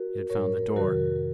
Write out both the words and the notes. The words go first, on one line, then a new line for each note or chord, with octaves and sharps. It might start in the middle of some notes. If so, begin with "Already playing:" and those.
It had found the door!
Already playing: F#4 A#4
A2 F#3 A#4 C#5
F2 C3 D#3 F#3 F#4 A#4